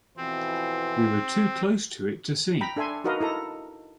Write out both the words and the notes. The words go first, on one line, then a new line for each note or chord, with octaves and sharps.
We were too close to it to see.
F2 B2 E3 C4
G5 A#5 B5
D4 A4 E5 G#5 C6
D#4 F#4 A#4 B4 D#5 F5
E4 A4 A#5